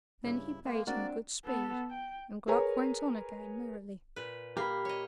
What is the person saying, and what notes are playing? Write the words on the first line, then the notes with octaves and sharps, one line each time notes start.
Then he bade him good speed, and Gluck went on again merrily.
G2 C#3 E4
G#3 A#3 B3
A#3 C4 D4 F#4 A#4 D5 F#5
B3 A4
G5
G#4 A#4 B4 C#5 G#5 A#5
A#2 B4
A#3 G4 F5 B5
C#5 D#5